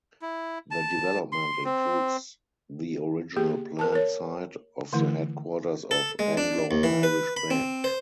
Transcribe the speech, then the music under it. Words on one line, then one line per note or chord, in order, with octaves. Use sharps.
The development includes the original planned site of the headquarters of Anglo Irish Bank.
E4
A5
C6
C4
A#3 G4 G#4
A#4 A5
A#4 C#5
D3 E3 A3 E4
A4
G#3
D4
D#2
E3
B4
B5
C4
C5